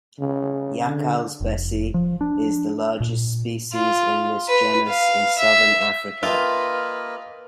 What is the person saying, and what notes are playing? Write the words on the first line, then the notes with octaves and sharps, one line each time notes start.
Jakkalsbessie is the largest species in this genus in Southern Africa.
C#3
D3
F1
F3
D4
A#2
F4
B4
F5
E5
A#3 F4 G4 A4 B4 D#5 E5 F6